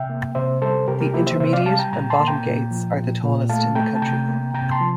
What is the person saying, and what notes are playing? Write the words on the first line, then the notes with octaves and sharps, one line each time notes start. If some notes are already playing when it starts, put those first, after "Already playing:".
The intermediate and bottom gates are the tallest in the country.
Already playing: C3 E5 G5
A#3
C3 C5 E5
G3 A4 C5
C3 G4 A#4
G4 A#4
A#3 E4 G4
C5 E5
C3 C5 E5
D5 F5
G3 F5 A5
G5 A#5
A#2 G5 A#5
A5 C6
A#3
G5 A#5
A#2
F3
A#2
A#2
A3 F5 A5
A3 G5 A#5
A5
C3 G5 A#5
A#3
C3 G5 A#5
A5 C6
F3